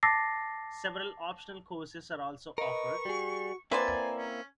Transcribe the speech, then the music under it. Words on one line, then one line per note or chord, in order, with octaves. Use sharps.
Several optional courses are also offered.
A5 D6 E6 A6 A#6 C7
A#4 B4 D#5 C#6
G3 F#4 G#4
A#3 C4 E4 B4 C5 D5 G#5 A#5
C#4